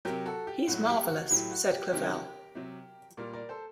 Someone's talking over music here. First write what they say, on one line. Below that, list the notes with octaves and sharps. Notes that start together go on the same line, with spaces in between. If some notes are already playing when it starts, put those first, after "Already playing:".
"He's marvelous," said Clavell.
C3 F#3 G4 A#4
F#4 A4
G4
A2 F#3 F#4
G4
F#4
A2 F#3 G4
F#4
G4
C3 D#3 F#3 G4 A#4
C3 F#3
A#2 G3 A#4 D5
A#4 D5
A4 C5